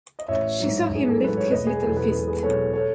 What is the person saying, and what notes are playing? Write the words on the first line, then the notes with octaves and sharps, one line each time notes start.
She saw him lift his little fist.
D#5
A1 C#5 E5
G#2 F#3
A1
G#4
A4
G#2 F#3 B4
C#5
E1 B4 D#5
G#4 B4
E2 B2 F#3 A4
G#4 B4
E1 G#4 B4
G#4 B4
E2 B2 F#3 A4 C#5
A4 C#5